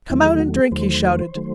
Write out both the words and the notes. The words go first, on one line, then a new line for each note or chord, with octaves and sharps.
"Come out and drink," he shouted.
E2 D#3 F#3 A3 E4
G#4
F#4
G#4
E2 D#3 F#3 A3 C5
D#3 F#3 A3